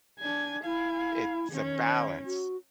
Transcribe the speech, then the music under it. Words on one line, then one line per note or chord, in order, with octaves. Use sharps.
It's a balance,
D4 G#5
E4 F5 G#5
D#3 C#4
F#4